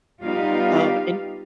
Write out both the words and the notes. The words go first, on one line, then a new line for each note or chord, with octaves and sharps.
Um, and
G3 B3 D#4 F4 G4 F5